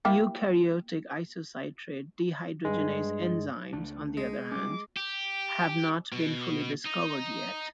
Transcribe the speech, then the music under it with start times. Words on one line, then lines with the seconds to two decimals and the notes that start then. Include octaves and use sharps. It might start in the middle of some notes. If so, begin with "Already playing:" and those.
Eukaryotic isocitrate dehydrogenase enzymes on the other hand, have not been fully discovered yet.
0.05 A#3 E4 G4
2.65 G2 G#3
3.73 C#2 A3 D4
4.17 G#3
4.52 G3 C#4 D6
4.97 G4
6.12 B2
6.86 D#4